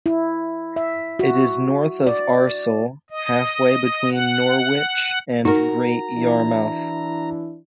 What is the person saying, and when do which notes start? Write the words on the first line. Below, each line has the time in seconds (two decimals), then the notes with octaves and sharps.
It is north of Acle, halfway between Norwich and Great Yarmouth.
0.06 E4
0.76 E5
1.19 F#4
2.07 D5
3.10 D#5
4.11 F#5
5.45 D#4 F#4 A#4 A#5
6.16 E3 D4 E4